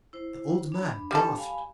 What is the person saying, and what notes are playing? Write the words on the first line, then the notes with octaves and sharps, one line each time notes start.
The old man gasped.
E4 C5
D4 B5
G3 A4
F5 G#5 B5